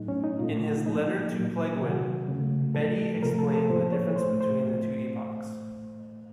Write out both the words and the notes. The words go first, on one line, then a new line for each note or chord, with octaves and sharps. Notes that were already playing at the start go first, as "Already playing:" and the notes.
In his "Letter to Plegwin", Bede explained the difference between the two epochs.
Already playing: A2 F#3 A3 D#4
C#4
D#4
A#2 A3 F4
D#4
A2 F3 A#3 D#4
A#2 F#3 A#3
C3 D#3 F#3 F#4
C#3 A3
A2 F3 A3 A4
C3 F3 A3 A#4
A4
A4
A2 F3 A#3 C5
C#5
A2 A3 C5
C5